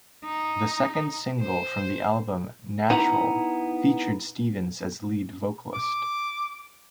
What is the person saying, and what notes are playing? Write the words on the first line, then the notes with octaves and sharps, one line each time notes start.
The second single from the album, "Natural", featured Stevens as lead vocalist.
D#4
C5
B3 D#4 E4 A5 A#5
D6